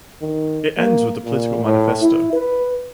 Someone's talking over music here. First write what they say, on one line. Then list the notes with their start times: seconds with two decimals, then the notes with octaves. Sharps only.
It ends with a political manifesto.
0.22 D#3
0.78 A#3
1.25 A#2
1.65 A2
2.02 E4
2.33 B4